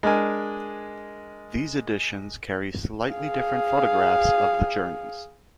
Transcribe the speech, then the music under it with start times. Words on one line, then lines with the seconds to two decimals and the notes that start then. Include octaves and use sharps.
These editions carry slightly different photographs of the journeys.
0.03 G#3 D4 A#4 G#5
3.11 G#4 F5